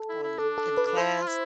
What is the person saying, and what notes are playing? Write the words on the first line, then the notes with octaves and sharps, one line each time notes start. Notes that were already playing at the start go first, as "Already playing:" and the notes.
on in class,
Already playing: A4
E4
E4
D4 A4
A4
B4
D4
E4 C5
F4
E4